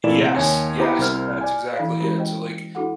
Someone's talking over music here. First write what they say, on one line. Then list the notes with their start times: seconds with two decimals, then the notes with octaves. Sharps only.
Yes, yes, that's exactly it. So, like,
0.04 A#2 E3 A3 E4 D5 E7
0.21 C3
0.36 D#2 C#5 G#5
0.78 B3 E4 G4 C5 A#5 B5
0.99 C2 E4 A#4 C5 F6
1.41 D5 G#5
1.76 E3 D4 E4 A4 D5 F5
2.00 E3 G#3 C#4 E4 F#4 G4
2.18 C5 D#5 G5
2.75 D4 E4 F#4 A4 F#5